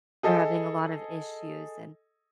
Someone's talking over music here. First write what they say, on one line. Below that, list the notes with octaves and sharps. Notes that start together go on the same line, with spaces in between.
they're having a lot of issues. And
G#4 A4 D#5